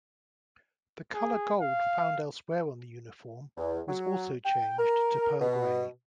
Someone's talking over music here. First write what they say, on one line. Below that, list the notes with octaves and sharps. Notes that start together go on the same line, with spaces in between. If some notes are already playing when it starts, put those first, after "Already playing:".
The colour gold found elsewhere on the uniform was also changed to pearl-grey.
G#4
F5
E2
F#3
G5
A#4
B2